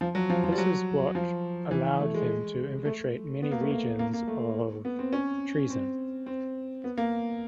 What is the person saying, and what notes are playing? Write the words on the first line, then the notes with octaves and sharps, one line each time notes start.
This is what allowed them to infiltrate many regions of Treason.
F3
F#3
F3
F3
G3
F#3
F3
E3
A3
G#3
A3
B3
A#3
A3
A#3
A#3
A#3
A3
B3
C4
C#4
C4
C4
B3
A#3